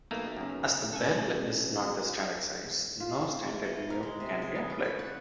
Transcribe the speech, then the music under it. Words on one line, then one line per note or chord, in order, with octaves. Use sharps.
As the bell is not the standard size, no standard mute can be applied.
B1 B2 A3 A#3
F#2 C#3
A1 A4 G#5
F4
C4
A3
B2
A#4
G#3
C3
G#4
B3
C#4
B5
F#5